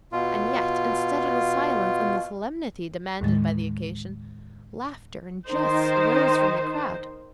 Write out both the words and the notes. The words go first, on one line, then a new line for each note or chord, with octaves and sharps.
And yet, instead of the silence and the solemnity demanded by the occasion, laughter and jests arose from the crowd.
B2 F4
D#2 A2 D#3 G#3 A6
D#3 D#4 C5